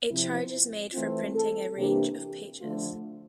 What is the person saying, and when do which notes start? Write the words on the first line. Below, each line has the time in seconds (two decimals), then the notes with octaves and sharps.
A charge is made for printing a range of pages.
0.10 C3 F3 C4 E4
0.93 E3 A3 C4 F4
1.35 A4
1.77 C3 E3 A#3 D4 G4
2.60 D3 F3 A3 F4